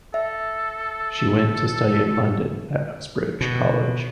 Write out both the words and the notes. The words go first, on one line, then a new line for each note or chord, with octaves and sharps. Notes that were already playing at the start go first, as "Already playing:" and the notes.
She went to study in London at Uxbridge College.
A4 E5
B2